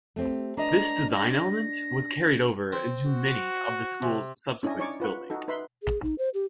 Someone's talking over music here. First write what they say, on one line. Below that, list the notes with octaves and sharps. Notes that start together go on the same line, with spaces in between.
This design element was carried over into many of the school's subsequent buildings.
A3 C4 G4
D4 B4 D#5 A#5
A#6
C4
F#4
C3
C#4 D4 E4 C#5 D#5 G#5
D#4 C#5 D5 G#5 C#6 D6
F4 B4 F#5 C#6
D#4 F#4 A4
D#4 B4 E5 B5 C6
G#4
D#4
C5
G4